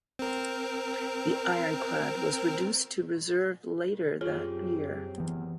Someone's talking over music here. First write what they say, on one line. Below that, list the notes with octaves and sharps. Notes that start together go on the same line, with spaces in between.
The ironclad was reduced to reserve later that year.
C4 A#4
F#2 C3 F4 G#4 C#5
E3 B3